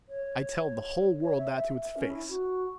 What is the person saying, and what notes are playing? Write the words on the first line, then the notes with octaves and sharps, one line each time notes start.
I tell the whole world that to its face!
C#5
C#5
E5
E5
E5
E5
C#4
E4
F#4